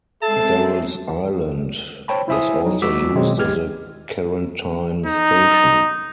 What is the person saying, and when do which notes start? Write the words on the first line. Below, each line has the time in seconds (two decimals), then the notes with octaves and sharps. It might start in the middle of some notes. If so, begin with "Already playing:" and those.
Darrell's Island was also used as a quarantine station.
0.22 G#3 C4 A4 E5 A5 C7
2.08 C5 C#5 G5 A5 B5
2.28 E4 C5 E5 G#5 D#6
2.66 F#3 D#4
2.82 G#3 F#4 D6 E6 B6
3.15 B2 D#3 F#3 G#3 C4
3.37 G#1 G#3 G4 F6 G#6
5.06 D#4